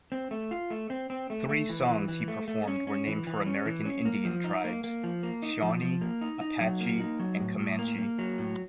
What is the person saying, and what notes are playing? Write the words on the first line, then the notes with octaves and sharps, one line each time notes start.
Three songs he performed were named for American Indian tribes: "Shawnee", "Apache", and "Comanche".
C4
A3
F4
A3
C4
C4
A3
A3
E3
E3
E3
A3
A3
C#4
C#4
E3
E3
C#4
E3
C#4
A#3
F3
D#4
A#3
A#3
F3
A#3
D#4
F3
F3
A#3
D#4
D#4
F#3
A#3
D#4
F#3
A2
A2
A#3
A#3
F#3
A2